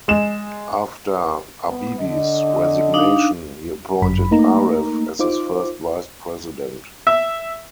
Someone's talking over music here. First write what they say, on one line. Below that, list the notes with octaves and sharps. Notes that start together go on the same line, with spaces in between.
After Habibi's resignation, he appointed Aref as his First Vice President.
G#3 E7
B3
D3 D#5
D4 D#4 F5
G1 F#2 B5
A3 A#3 D#4 A#5
D#4 F4 C5 D6
E5